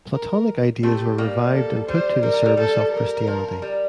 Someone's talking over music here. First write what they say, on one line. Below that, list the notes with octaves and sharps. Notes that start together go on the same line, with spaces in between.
Platonic ideas were revived and put to the service of Christianity.
A#4
A3 C4 G4
G3 A#3
A4
G3 C5
G3 A#4
G3
G3
G3 A4
A#4
F3
G3